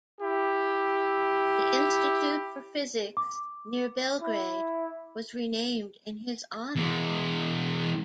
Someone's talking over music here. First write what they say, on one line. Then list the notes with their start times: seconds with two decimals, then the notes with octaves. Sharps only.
The Institute for Physics, near Belgrade, was renamed in his honour.
0.21 E4 G4
3.17 D6
4.22 E4
6.76 E2 G#3